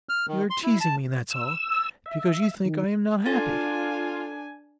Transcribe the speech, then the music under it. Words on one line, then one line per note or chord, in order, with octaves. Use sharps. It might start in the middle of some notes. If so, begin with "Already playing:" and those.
"You are teasing me--that's all--because you think I am not happy!"
F6
D#3
C6
E4
A5
E6
E5
D#3
D4 F4 A4 G#5 A6